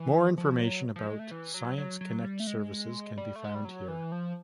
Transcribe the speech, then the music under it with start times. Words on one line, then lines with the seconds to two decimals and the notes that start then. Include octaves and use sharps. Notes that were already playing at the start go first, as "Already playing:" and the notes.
More information about Science Connect services can be found here.
Already playing: E3
0.38 F3
0.61 F#3
0.96 F3
1.07 G#3
1.19 A3
1.31 E3
1.54 F#3
1.78 F#3
2.01 F#3
2.24 G3
2.40 A3
2.47 G#3
3.18 G3
3.36 A3
3.44 G#3
3.55 G3
3.65 F#3
3.88 E3
4.12 F3